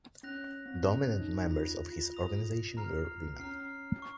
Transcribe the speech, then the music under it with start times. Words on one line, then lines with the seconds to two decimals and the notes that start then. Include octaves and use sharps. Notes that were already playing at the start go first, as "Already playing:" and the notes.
Dominant members of his organization were women.
0.23 C#4 F#6 A#6 F7
0.66 C4
0.87 C#4 F#6 A#6 F7
1.18 D#4
1.49 F4 D#6 A#6 F7
1.92 F4
2.14 D#6 A#6 F7
2.77 A#5 F6 C7
3.39 C#4 A#5 F6 C7
4.02 C#6